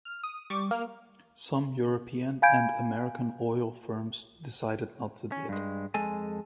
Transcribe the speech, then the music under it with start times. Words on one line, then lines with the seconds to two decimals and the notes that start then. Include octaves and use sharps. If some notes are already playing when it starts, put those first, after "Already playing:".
Some European and American oil firms decided not to bid.
0.05 F6
0.23 D#6
0.50 G3 C#6 D6
0.71 A#3 F6
2.42 F5 G#5 B5 G6 G#6 D7
5.32 C#4
5.49 G2 G#3
5.94 F2 G#3 A4 G#5